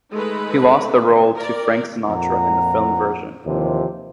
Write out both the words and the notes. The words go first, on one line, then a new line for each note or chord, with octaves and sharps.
He lost the role to Frank Sinatra in the film version.
G#3 A3 D#4 A4 B4
A#4 D5
F2 A#2 F#5 A#5
D#2 C3 E3 F3